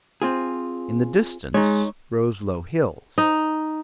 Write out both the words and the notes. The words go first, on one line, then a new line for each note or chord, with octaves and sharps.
In the distance rose low hills.
C4 F4 G#4
G#3 D#4 C#5
D#4